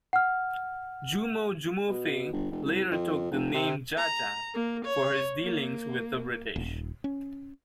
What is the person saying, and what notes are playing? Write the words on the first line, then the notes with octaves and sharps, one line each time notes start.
Jumo Jumofe later took the name "Jaja" for his dealings with the British.
F#5 F6
B2
G1
F1
C2
F2
F1
C3
A#5
A#3
C#5
A#3
D#1
C#4